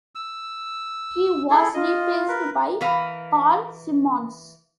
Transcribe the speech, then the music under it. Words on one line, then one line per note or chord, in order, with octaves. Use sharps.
He was replaced by Paul Simmons.
E6
E4 G#4 A4
F4 D#5
A#4 B4
E3 A#4 B4 F5